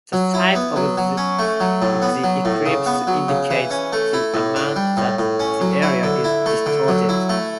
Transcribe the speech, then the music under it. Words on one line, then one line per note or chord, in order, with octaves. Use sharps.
The size of the ellipse indicates the amount that the area is distorted.
F#3
E4
B3
F#3
F#3
C#4
A3
F#3
A2
B3
F#3
A2
C#3
B3
F#3
C#3
E3
C#4
A3
E4
A2
D4
G3
A2
A2
C#4
F#3
E4
D3
E4
A3
D3
F#3
E4
A3